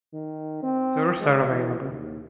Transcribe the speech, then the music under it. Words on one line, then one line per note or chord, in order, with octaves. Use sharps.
Tours are available.
D#3
C4
G#3
E3
D#2